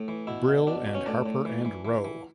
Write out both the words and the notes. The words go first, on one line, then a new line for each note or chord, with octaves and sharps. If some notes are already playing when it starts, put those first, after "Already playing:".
Brill and Harper and Row.
Already playing: A2
E3
B2 E4
B2
B2 D4
B2
C#4
A2 D4
A2
E3
E3
E3
E3